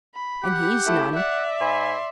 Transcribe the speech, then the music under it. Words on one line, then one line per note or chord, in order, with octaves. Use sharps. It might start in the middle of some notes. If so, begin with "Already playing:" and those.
And he's none.
B5
G4 F#5
A3 E4
D5 E5 F#5
G#2 G#5 B5 C6